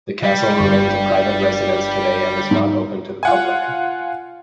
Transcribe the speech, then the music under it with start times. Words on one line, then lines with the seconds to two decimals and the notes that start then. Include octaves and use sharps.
The castle remains a private residence today and is not open to the public.
0.23 G3
0.60 G1
2.51 G#2
3.23 F4 F#5 G#5